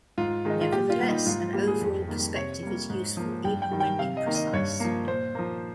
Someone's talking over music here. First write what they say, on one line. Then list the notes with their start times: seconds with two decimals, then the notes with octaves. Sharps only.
Nevertheless, an overall perspective is useful even when imprecise.
0.18 G#2 F4
0.45 D#3 G#3 D#4
0.61 F4
0.72 A#2 G4
0.90 F4
0.99 G3 A#3
1.08 D#4
1.26 G#2 F4
1.40 F4
1.53 G3 A#3 G4
1.67 G#4
1.81 F2
2.08 D#3 G3 A#3
2.35 C3 C#5
2.63 G3 A#3
2.90 G#2
3.17 F3 A#3
3.45 G2 G5
3.62 G5
3.71 D#3 G3
3.80 G5
3.99 C3 F5
4.17 D#5
4.26 D#3 A#3
4.35 D#5
4.53 G2 C#5
4.80 F3 A#3
5.08 A#2 C5
5.35 F3 A#3